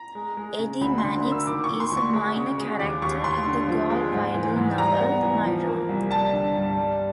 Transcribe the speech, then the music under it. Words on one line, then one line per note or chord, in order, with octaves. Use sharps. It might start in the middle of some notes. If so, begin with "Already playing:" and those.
Eddie Mannix is a minor character in the Gore Vidal novel "Myron".
Already playing: A#5
G#3
G#3
C#3
D2 B5
C6
D3
A#3
E6
D#3 D6
C#6
D#3
C6
D2
C#6
G#3
C#3
G#3
D#2 D6
D#2 C#6
D#2 C6
D3
F3
G#3
G#2
E3
G#2
G3 A#5
B3
E3
F3
A#3
C2
G3 A5
D3
G2
G3